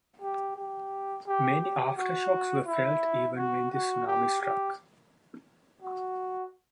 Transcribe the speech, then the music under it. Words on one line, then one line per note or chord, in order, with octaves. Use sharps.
Many aftershocks were felt even when the tsunami struck.
G4
G4
G4
G4
F#4
E4
F#4
F#4
G4
G4
F#4